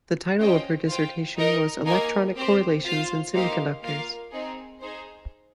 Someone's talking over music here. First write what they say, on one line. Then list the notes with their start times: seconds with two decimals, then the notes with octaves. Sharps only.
The title of her dissertation was "Electronic correlations in semiconductors".
0.39 C#4 F4 C5 D#5 G5
0.87 F4 C5 G5
1.36 D#4 A#4 D#5
1.85 A#3 D#4 A#4 D#5 G#5
2.35 C4 G4 C5
2.84 F4 C5 F5
3.33 A#3 D#4 G4 C5 F5
3.82 A#3 F4 A#4 F5
4.31 C4 D#4 G#4
4.80 D#4 G#4 C5